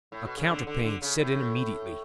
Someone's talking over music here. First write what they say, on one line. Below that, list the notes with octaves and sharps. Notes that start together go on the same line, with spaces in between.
A counter-pain set in immediately.
A2
B2
C#3
D3
D3
D3
C#3
A2